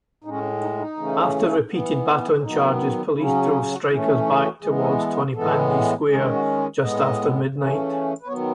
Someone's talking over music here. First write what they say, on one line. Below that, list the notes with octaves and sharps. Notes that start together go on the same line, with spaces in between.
After repeated baton charges, police drove strikers back towards Tonypandy Square, just after midnight.
A2 G#3 C#4 D#4
C#4
D#4
D#4
C#3 E3 A3 C#4
E3 B3
C#4
D#3 F#3 B3 D#4
C#3 F#3 C#4 E4
G#4
G#4
F#4
E3 A3 C#4 E4
D#4
D#4
F#4
E3 G#3 B3 G#4
A4
A4
B4
A2 E3 G#3 B3 A4
D#3 G#3 C#4 G#4
F#4
G#4
A2 G#3 B3 D#5
C#3 E3 A3 C#4
B4
D#3 F#3 B3 C#5